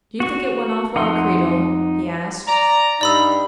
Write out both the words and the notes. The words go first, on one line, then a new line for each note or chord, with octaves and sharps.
"Do you think it went off well, Creedle?" he asked.
F#4 C#6
F2 D#4 F#5 C6
D5 A#5
G2 D#4 D5 B5 E6